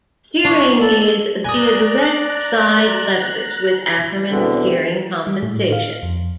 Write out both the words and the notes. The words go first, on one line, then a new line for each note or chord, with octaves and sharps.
Steering is via direct side levers with Ackerman steering compensation.
D4 C#6
A#3 A4
D5 G#5 A#5 D#6 F#6
E2 B2 D3 C4
G3
A2
F5
F2